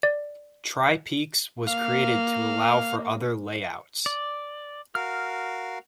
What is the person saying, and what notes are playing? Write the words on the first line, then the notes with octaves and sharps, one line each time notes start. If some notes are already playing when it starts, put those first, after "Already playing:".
TriPeaks was created to allow for other layouts.
D5
A#3 F5
D5
F#4 A#4 F5 F6